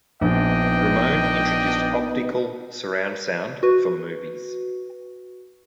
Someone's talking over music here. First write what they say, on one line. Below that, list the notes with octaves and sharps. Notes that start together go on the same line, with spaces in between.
Ramone introduced optical surround sound for movies.
A#1 B3 D4 D#4 D#5 G5
F#4 B4